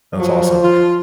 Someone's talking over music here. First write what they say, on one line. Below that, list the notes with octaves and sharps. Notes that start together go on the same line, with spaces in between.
That's awesome.
F3 F#3
F4